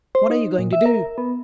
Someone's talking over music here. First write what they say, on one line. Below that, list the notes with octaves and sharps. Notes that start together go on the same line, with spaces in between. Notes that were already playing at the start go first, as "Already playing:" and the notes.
"What are you going to do?"
C5
D#4
A#2
E5
A#4
B3